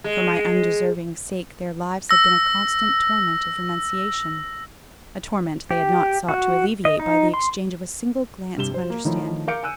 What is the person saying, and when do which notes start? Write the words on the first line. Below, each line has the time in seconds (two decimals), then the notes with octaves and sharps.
For my undeserving sake their lives had been a constant torment of renunciation--a torment they had not sought to alleviate by the exchange of a single glance of understanding.
0.04 G#3
2.09 E6 A#6
5.71 G4
6.29 F#4
6.85 D#5
7.00 D#4
7.34 C6
8.57 G2 C3 G4 E7 G7
8.72 F#3 C5
8.90 A#3
9.05 D#3 F3 A3 D#4 E4 C#5
9.47 A#4 F5 D6 G6 C#7 D7
9.63 G#5 E6 F#6 D#7